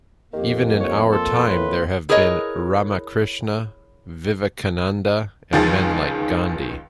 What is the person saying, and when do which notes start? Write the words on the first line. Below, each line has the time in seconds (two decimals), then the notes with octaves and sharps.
Even in our time there have been Ramakrishna, Vivekananda, and men like Gandhi.
0.33 F2 D#3 A#3 G4
0.80 C#5
1.12 A4 C6
1.49 A2 B4
2.09 E4 G#4 A#4 B4 C#5 D#5
5.53 C#2 D#3 F3 G#4 A6